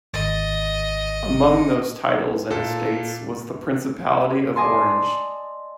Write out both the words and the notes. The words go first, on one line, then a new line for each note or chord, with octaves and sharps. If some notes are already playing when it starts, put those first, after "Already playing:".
Among those titles and estates was the Principality of Orange.
G#1 D#5 A6
A#2 A4
D5 D#5 G#5 A5 C6